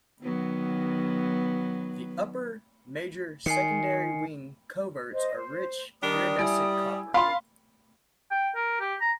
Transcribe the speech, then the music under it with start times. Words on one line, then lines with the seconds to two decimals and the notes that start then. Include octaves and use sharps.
The upper, major secondary wing coverts are rich iridescent copper.
0.23 D#3 F#3 B3
3.46 D#3 G#5 C7 C#7
5.13 C5 D#5
5.33 C5
6.03 D#3 G3 D4 D#6
6.39 G3 E4 G#5 D7
7.14 D4 F4 A#4 F5 B5 C6
8.31 G5
8.55 A#4
8.81 G4
9.01 A#5